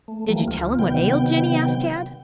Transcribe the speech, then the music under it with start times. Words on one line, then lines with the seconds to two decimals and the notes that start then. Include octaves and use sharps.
"Did you tell him what ailed Jinny?" asked Tad.
0.08 A3
0.28 E3 F3 G3 A3 A#3
0.48 D2 F4
0.79 C3 D#3 F#3 B3 G5